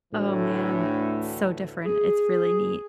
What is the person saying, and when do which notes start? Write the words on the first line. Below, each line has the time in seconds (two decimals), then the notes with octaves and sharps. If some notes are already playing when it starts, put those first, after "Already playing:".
oh, man, so different. It's really neat.
0.13 D2 A2 D3 E3
1.86 G#4